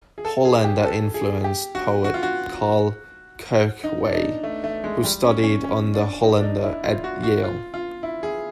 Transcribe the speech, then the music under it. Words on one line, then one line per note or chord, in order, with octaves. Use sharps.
Hollander influenced poet Karl Kirchwey, who studied under Hollander at Yale.
G#4
A4
G#4
G4
A4
G#4
G4
F#4
F#4
F4
F#4
D#4
D4
D#4
A3
A3
G#3
G3
C#4
C#4
C#4
D4
D#4
D4
D#4
E4
F4
F#4
F#4
F4
F4
E4
G#4